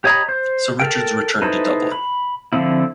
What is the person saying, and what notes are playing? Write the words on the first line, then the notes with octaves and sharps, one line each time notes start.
So Richards returned to Dublin.
G4 C#5 D#5 A#5 B5
C5
A4 A#4 G5
D#4 E4 A4 B4 C5
B5
D3 F3 A3 C4 E4